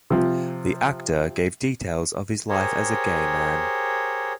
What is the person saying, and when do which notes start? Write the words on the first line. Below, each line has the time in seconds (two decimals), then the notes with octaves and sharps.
The actor gave details of his life as a gay man.
0.10 C3 F3
2.49 G4 G#4 A#4 C5 C#5